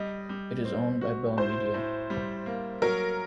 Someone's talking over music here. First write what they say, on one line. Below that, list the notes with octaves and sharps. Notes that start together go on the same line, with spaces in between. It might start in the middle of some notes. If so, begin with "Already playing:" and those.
It is owned by Bell Media.
Already playing: G3 D#5
G3
C4
F#4
A2 C5
A2
G3
A#3
F#3 A#4